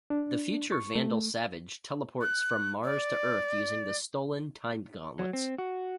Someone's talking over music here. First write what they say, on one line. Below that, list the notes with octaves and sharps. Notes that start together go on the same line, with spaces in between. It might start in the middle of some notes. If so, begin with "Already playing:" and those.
The future Vandal Savage teleports from Mars to Earth using the stolen Time-Gauntlets.
D4
C#6
A3
F#6
D5
F#3
C4
F#4